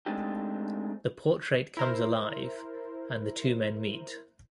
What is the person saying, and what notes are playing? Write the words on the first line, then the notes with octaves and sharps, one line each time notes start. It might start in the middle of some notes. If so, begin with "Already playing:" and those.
The portrait comes alive and the two men meet.
G#3 A3 C4 D4 D#4 G4
E4 A#4 C5